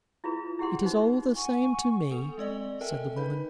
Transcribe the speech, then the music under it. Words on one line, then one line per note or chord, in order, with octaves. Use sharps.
"It is all the same to me," said the woman.
E4 F4 G#4 B4
E4 G4 G#4 F#5 C6
D#4 F#4 B4 C5
F#5 G#5 C#6
B3 A4 F7
G#3 C4 D5 D#5
A4 A#4 D#5 E5 G5 G#5
D#4 B4 B5